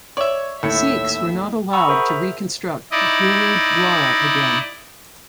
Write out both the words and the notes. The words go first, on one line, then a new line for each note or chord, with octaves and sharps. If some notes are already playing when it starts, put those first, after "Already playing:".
Sikhs were not allowed to reconstruct Gurudwara again.
C#5 D5 E5
D#2 A2 E4 E5 E6 C#7
F#5 A#5 B5 C#6 D#6 E6
G#4 A#4 C5 E5
E5
D#4 E4 D5 D#5